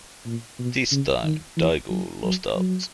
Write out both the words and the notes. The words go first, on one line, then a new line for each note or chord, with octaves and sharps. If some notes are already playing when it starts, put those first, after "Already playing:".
This time, Daegu lost out.
A#2
B2
C#3
D#3
E3
F#3
F#3
F#3